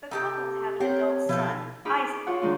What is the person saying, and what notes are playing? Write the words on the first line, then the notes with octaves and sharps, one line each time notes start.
The couple have an adult son, Isaac.
C3 D#4 G4 A4 G5
C4 G4 A#4 C5 C#5 F#5
B2 F3 E4 F4 G4 A4 F5
D#4 G#4 B5 D6 F6
D6
F4 F#4 C#5 F#5
D#3 G#3 D4 F4